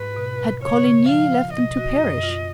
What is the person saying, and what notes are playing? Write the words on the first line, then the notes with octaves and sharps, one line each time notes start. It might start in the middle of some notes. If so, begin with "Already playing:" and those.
Had Coligny left them to perish?
Already playing: G#2 B4
B2
B2
C#3 C#5
C#3
F3 F5
F3
B2 D#5
F#4
F#2
F4